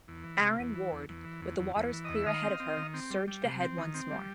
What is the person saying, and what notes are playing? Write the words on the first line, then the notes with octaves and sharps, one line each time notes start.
"Aaron Ward", with the waters clear ahead of her, surged ahead once more.
E2
E3
C3
E2
E3
E2
E2
E3
E2
E2
E2
E3
E2 D#5
E5
D#3 D#5 F5
C4
C4
D#3
C4
G3
G3
C3
C4
D#3
C4
G3